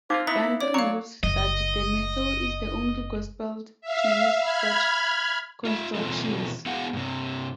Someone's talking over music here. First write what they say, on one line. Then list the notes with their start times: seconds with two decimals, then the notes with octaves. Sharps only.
Gundry notes that the Matthew is the only gospel to use such constructions.
0.10 A#3 C4 D#4 F4 C5 F5 D6
0.27 B3 C4 E4 A#5
0.61 C#5 D5
0.74 F#3 C#5 F5 A#5 C#6
1.23 F#1 D#5
3.81 E5 F5
4.40 B5 F6 G#6
5.65 F4 D#5 E5
5.95 B2 E3 B3 C4 F4 A4
6.66 B3 E4 F#4 G#4 F5 F#5
6.93 G2 C3